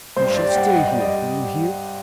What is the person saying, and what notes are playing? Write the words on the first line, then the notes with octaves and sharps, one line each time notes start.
You shall stay here, do you hear?
G2 C5
G3 D5
G5
G2 F#5
G3 D#5
D5
G3
D#5